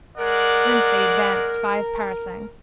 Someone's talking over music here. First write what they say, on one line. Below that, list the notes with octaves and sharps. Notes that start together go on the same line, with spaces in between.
Thence they advanced five parasangs.
G#3 A#4 D5 F#5